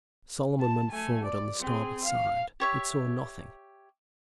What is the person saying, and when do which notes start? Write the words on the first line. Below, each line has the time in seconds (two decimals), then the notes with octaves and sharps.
Solomon went forward on the starboard side, but saw nothing.
0.59 A5
0.91 A3 G#5
1.23 D5
1.60 C4 G#4
2.04 F5
2.60 G4 C#5 E5